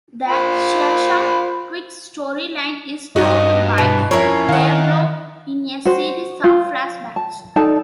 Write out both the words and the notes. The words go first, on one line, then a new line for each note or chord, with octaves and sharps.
The Shazam Twix storyline is told by Diablo in a series of flashbacks.
F4 C5 B5
G2 D#4 F#4 D#5
B2 E3 B4
F2 C#4 E4 A#4 C#5
D#3 F5 F#5
F#4 C5
F4
A5
D#4 A4 D5 A5